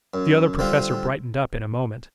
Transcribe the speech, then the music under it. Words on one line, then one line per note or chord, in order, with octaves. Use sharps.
The Other Professor brightened up in a moment.
F#2
D3 G3 C4 F4